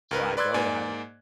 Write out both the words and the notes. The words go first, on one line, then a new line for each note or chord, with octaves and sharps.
So, I know how to
C#2 A#4 B4
B4 D5 C6 E6 F#6 G#6
G#2 A#3 D5 G#5